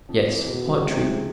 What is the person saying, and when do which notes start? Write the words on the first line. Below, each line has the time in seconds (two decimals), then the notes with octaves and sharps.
"Yes, quite true."
0.09 F2
0.28 C3 E3
0.46 E2 B2
0.65 C#3 E3 G3 C4
0.84 D2 C3
1.03 C#3 F3 G#3